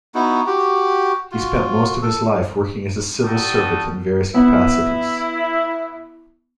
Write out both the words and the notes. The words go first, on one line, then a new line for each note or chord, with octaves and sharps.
He spent most of his life working as a civil servant in various capacities.
B3 D#4 E4 F#4
F#4 G4
F4 F#4
A4
G3 F#4 A4 G5 A5 D#6
B3 E4